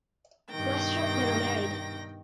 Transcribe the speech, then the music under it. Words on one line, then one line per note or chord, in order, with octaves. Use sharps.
Westropp never married.
G2 B2 D#3 G5 A#6